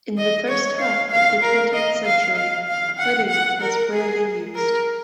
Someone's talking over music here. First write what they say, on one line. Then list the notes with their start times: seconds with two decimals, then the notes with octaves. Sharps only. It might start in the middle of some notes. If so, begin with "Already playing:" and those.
In the first half of the twentieth century, hooding was rarely used.
0.17 D#5
0.49 C#5
0.80 F5
1.11 F5
1.43 A#4
1.74 D#5
2.06 F5
2.36 F5
2.68 F5
2.99 F#5
3.30 F#5
3.61 A#4
3.93 G#4
4.55 A#4